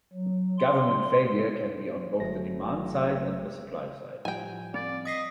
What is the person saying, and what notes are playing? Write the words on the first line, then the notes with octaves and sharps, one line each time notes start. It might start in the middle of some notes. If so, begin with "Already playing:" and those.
Government failure can be on both the demand side and the supply side.
F#3
C6
G1 F#3 A3 A#6
A2 F3 G3 G5 G#5
C4 D5
D#5 D#6 B6 C7